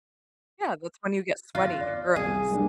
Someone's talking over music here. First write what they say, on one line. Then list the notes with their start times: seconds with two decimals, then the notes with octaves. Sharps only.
Yeah, that's when you get sweaty and gross.
1.55 F4 F#6 A#6
1.81 D5
2.16 C2 G#4
2.51 G3 A#3 D4